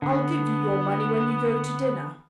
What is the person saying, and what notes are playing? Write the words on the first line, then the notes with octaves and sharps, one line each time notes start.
I'll give you your money when you go to dinner.
D3 B3